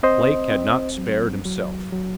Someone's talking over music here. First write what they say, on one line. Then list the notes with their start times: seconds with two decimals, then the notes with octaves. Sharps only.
Blake had not spared himself.
0.03 C4 C5 D#5
0.51 C4
0.98 F#3
1.45 F#3
1.92 F#3